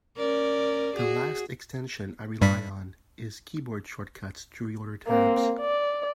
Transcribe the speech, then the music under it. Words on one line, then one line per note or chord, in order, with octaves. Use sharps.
The last extension I rely on is Keyboard Shortcuts to Reorder Tabs.
C#4 A#4 D5
F#4 G#4
G2 G3 B6
A#3 C4
D5